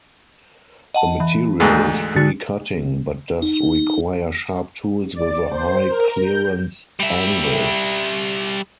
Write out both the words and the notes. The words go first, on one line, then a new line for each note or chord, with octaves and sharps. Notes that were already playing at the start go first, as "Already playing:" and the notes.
The material is free-cutting, but does require sharp tools with a high clearance angle.
D#5 F#5 A5
E3
D2 G#2
D3 F#4 A6
D#4
D5
C5
A#4
G6
G3 E5